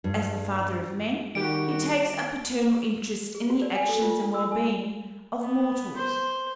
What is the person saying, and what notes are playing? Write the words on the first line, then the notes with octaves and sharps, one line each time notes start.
As the father of men, he takes a paternal interest in the actions and well-being of mortals.
G2
D#3 G3 F#4 G4 D7
G#4
F#4
D5
G#5
A4
F4
D4
E6
G#5
B3
C5